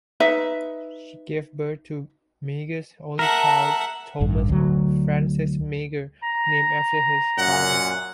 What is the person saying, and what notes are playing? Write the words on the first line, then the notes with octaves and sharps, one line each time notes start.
She gave birth to Meagher's only child: Thomas Francis Meagher, named after his father.
D#4 B4 E5
A#4 E5 F#5 A5
A1 G2
D2 F#3
A#5
F#2 A#2 F#5